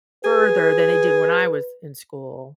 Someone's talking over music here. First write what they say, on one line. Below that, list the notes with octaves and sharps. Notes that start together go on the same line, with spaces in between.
further than they did when I was in school.
G#4 B4